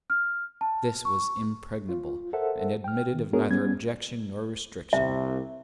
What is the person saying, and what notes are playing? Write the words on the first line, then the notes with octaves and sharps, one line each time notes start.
This was impregnable, and admitted of neither objection nor restriction.
F6
A5
C#6
F4
A4 A#4 C5 E5 F#5
G5 F6
D#3
B3 D4 F#4 G#4 A#4 C#5
G3 B3 C#4 G#6
C2 E5